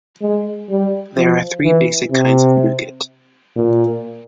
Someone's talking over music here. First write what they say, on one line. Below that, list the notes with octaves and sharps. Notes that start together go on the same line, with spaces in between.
There are three basic kinds of nougat.
G#3
G3
F3
E3
C3
A#2